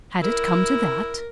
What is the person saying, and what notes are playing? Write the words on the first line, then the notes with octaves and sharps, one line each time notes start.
Had it come to that?
E4 A#4